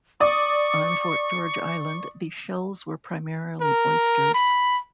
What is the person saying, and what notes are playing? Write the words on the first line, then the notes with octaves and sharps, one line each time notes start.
On Fort George Island, the shells were primarily oysters.
D5 C#6 D#6
A#4
B5